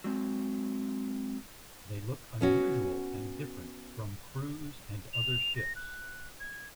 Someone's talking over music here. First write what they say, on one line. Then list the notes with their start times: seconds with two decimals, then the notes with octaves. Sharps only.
They look unusual and different from cruise and other ships.
0.04 F#3 G#3 C4
2.41 B3 C#4 F#4
5.13 F7
5.56 A#6
5.76 F#6
6.40 G#6